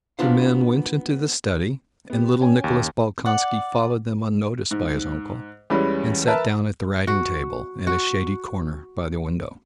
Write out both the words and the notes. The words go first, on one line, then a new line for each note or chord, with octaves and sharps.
The men went into the study and little Nicholas Bolkonski followed them unnoticed by his uncle and sat down at the writing table in a shady corner by the window.
A#3 B3 D4 F4 C5 F5
B3 G4
C#4 G5 G#5
D#2
D5 F#5
G#2
E2 E3 G3 G#3 C#4 B5
A#4 B4 E5 A5
F#4
F#4